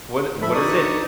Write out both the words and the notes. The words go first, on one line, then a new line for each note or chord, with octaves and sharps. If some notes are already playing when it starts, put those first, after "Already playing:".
Was it what is it?
F3 A4 E5 B5
D#4 F#4 D5 D#6
D4 C#6